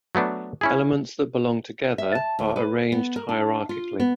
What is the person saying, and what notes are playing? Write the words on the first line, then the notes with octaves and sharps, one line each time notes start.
Elements that belong together are arranged hierarchically.
F#3 A3 B3 D4
C#4 E4 G#4
E5
A5
D2
B4
B3
A#4
D4
F4
B3